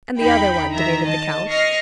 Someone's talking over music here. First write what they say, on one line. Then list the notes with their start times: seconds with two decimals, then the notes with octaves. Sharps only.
"And the other one?" demanded the count.
0.19 E2 D#4 G5 B5
0.73 D#3 E5 A#5
1.06 D#5 A5
1.50 D#5 C#6 F6 A#6 C7